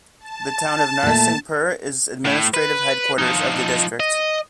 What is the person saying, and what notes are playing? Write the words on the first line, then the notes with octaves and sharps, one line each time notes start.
The town of Narsinghpur is administrative headquarters of the district.
A5
A#2 A3
A2
B4
F3 D#4
D#5